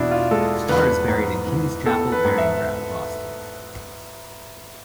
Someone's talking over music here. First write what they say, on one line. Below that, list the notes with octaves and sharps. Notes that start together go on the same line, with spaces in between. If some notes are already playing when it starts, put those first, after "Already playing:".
Starr is buried in King's Chapel Burying Ground, Boston.
Already playing: E2 B2 D4 E4
F4
G#3 A4
E2 B4
G#2
E3
B3 A4
B4
G#2
E5